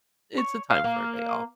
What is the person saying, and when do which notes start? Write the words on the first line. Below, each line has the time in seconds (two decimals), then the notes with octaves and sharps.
it's a time for a day off",
0.38 C#5
0.70 F5
0.84 A#3